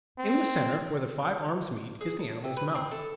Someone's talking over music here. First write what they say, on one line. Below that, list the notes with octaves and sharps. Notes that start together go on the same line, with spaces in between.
In the centre, where the five arms meet, is the animal's mouth.
C4
G#4
A5
C3
B4
C4
A4